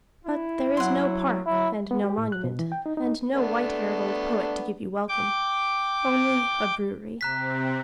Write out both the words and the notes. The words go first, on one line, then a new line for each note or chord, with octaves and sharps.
But there is no park, and no monument, and no white-haired old poet to give you welcome--only a brewery.
E4
F#3 F#5 C6
F#3 E4
B3
G4
A2
F#6
B2
E3
G5
D#4
D#4
A3 B3 D4
G5 D6
C3 C4 A#5 F#6 B6